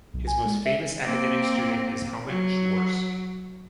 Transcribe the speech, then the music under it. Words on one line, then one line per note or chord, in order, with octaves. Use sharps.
His most famous academic student is Helmut Schwarz.
B1
G#5
G#3
E5
A#3 C4
F#3